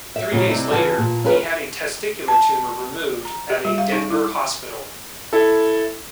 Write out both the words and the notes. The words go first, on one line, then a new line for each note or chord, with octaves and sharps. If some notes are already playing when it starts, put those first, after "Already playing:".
Three days later, he had a testicular tumor removed at a Denver hospital.
E5
A#2 C#3 F#3 G#3
C3 G3 D#4 E4
C#3 E3 F4 F#4 G#5 A5
A#2
C#4 F4 G#4 A#4 B4
A5
A#5
G4
G3
F5
D#4
E4
E4 A4